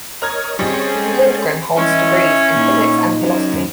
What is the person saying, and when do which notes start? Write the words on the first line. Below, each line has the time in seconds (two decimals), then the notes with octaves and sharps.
Lindgren holds degrees in physics and philosophy.
0.22 A#4 C#5 D#5 A#5 F6 G#6
0.59 G3 C4 C#4 G#4 C5 D#5 C#6
0.95 G#3 A4
1.78 E3 C#4 E4 D#5 C6
2.56 A#2 D#4
3.21 F#3 C#4